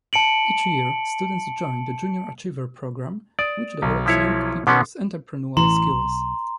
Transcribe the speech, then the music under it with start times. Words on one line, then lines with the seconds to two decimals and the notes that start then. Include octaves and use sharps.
Each year, students join the Junior Achiever programme which develops young peoples' entrepreneurial skills.
0.13 A5 C#7 D7 F#7
3.39 D5 D#6
3.82 B1
4.06 F3 E4 C#5
4.67 B2 B3 C#4 C6 D6
5.57 A1 E3 A#5 C6
5.93 B1